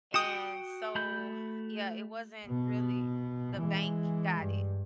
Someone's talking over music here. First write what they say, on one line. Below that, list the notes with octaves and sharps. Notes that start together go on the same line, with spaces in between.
And so Yeah, it wasn't really the bank got it.
F#4 G5 D#6 E7
A3 B5 G6
B2 B3
E3 G#3
G2